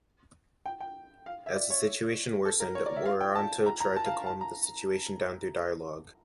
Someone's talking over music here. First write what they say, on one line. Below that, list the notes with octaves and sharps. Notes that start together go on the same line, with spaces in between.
As the situation worsened, Wiranto tried to calm the situation down through dialogue.
G5
G5
F5
E5
D5
C#5
A4
A#4
C#5
D5
E5
F5
G5
A5
A#5
A#5
A5
F5
A5
A#5